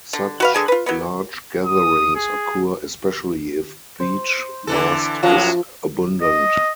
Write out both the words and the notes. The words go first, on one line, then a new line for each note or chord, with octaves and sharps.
Such large gatherings occur especially if beech mast is abundant.
D3
F#4 B4 F5
D3 G#4 G#5
F4 B4
F#3 A#3 B3
D#6
G#4
C5
D3 E3 A4
F#2 A2 F3 F#3
D#5